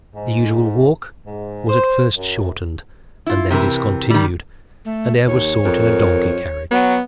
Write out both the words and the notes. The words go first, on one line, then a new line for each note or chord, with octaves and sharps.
The usual walk was at first shortened, and then discontinued; and air was sought in a donkey-carriage.
G#2
G#2
C5
F#2
E4 F4
C3 E3 E4 A#4
D#3 G3
A3
D#2 C#5
F2 A#4
F#3 B3